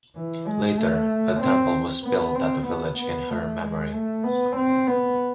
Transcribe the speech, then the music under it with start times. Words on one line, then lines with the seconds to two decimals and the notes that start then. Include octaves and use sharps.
Later a temple was built at the village in her memory.
0.15 E3
0.47 G#3
0.78 A3
1.40 C4
2.04 B3
2.35 C4
2.67 B3
2.98 B3
3.30 A3
3.61 G#3
3.93 A3
4.24 B3
4.56 C4
4.87 B3